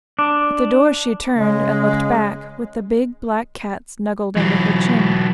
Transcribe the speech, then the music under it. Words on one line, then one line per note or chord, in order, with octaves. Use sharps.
At the door she turned and looked back, with the big black cat snuggled under her chin.
D4
C#3 G#3
E3 F#3